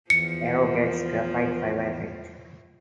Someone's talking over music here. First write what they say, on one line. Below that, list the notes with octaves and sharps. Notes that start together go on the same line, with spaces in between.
Aero gets graphite fiber effect.
E2 F3 C#7